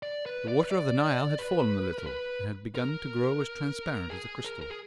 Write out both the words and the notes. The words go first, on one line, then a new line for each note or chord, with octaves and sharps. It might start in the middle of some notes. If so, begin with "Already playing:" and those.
The water of the Nile had fallen a little, and had begun to grow as transparent as a crystal.
D5
B4
D5
B4
D5
B4
A#4
B4
A#4
G#4
A#4
A#4
G#4